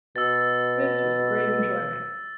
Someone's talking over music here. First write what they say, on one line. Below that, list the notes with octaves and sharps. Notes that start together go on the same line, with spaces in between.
This was a great enjoyment.
B2 E6 A6